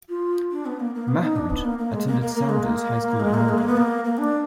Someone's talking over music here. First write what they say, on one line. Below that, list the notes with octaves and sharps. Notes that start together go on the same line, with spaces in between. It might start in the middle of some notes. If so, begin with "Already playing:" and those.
Mahood attended Saunders High School in London.
F4
D4
B3
A#3
A#3
B3
D#4
D4
B3
A#3
A#3
G#3
A#3
A#3
A#3
G#3
A#3
G#3
A#3
G#3
A#3
B3
A#3
A#3
D4